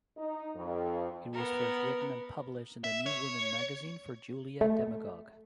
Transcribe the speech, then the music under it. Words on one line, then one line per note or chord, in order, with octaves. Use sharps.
It was first written and published in "The New Woman" magazine for Julia Demagogue.
D#4
F2
B3 A#4
E5
C#5
A3